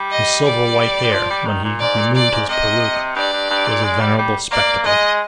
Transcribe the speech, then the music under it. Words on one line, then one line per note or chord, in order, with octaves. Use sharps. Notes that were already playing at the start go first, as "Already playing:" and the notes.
His silver-white hair when he removed his peruke was a venerable spectacle.
Already playing: G3
D#5
D5
G3
F3
G3
D#3
A#2
G#2 D5
A#2
A#2 D5
G#2
C3 D#5
G2 D5
G2
G2
A#2
G#3
G3
G3
A#3 D5
G#3 D#5